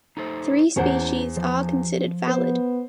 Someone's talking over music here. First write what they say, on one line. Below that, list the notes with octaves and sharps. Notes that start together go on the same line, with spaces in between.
Three species are considered valid.
D#4 A4 C5
E2 C#4 E4 C5 F#5
F3
B3 C5